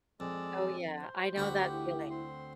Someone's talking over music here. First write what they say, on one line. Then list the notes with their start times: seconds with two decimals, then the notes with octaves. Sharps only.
Oh, yeah, I know that feeling,
0.20 F2 G#3 D5 E6
1.01 C5
1.36 D2 F#4 G4 B5
1.72 E4
2.10 C4 C6